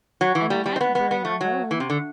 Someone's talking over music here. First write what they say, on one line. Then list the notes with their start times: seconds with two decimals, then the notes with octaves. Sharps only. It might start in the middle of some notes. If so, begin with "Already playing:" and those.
And I had to bring her home.
0.21 F#3
0.35 E3
0.50 G3
0.66 G3
0.76 C4
0.81 B3
0.95 B3
1.11 B3
1.25 A3
1.41 F#3
1.71 E3
1.80 C3
1.90 D3